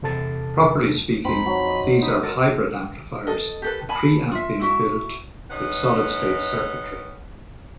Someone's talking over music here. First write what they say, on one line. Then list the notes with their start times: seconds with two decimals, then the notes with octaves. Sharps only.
Properly speaking these are hybrid amplifiers, the pre-amp being built with solid-state circuitry.
0.02 E2 C3 A4 A5 A6
1.25 F2 C4 D#4 B5
1.46 F#3
1.67 D#5
2.02 B3 D#4
2.23 A4 A#4
3.27 A4 D#5
3.62 G4 A4 B4
3.89 G#5 A5 B5
4.31 F4 E5
4.60 E4 F#4 E5
5.50 C3 C#4 D#4 B4 F#5